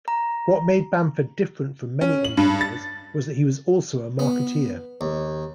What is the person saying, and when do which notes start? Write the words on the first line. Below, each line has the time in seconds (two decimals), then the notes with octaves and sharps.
What made Bamford different from many engineers was that he was also a marketeer.
0.08 A#5
2.01 C#4
2.25 F#7
2.37 G2
2.61 A6
4.19 B3
5.01 D#2